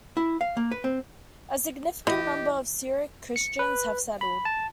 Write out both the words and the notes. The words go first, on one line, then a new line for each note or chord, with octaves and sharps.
A significant number of Syriac Christians have settled.
E4
F5
A#3
B4
C4
E3 G4 D#5
C#7
B4
B5
A5